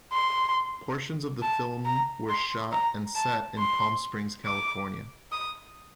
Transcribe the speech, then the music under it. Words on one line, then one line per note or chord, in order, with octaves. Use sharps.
Portions of the film were shot and set in Palm Springs, California.
C6
A5
A#5
C6
A#5
A5
C6
D6
D#6